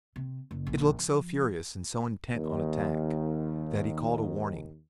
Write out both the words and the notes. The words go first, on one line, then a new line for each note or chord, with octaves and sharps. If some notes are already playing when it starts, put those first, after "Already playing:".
It looked so furious and so intent on attack that he called a warning.
C3
F#1
A#1 F2
F3
D#2 D#3